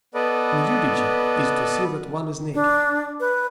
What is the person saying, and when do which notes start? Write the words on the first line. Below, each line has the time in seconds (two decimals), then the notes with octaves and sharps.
Nudity is to see that one is naked.
0.14 B3 A4 B4 D5 D#5
2.54 D4
3.20 B4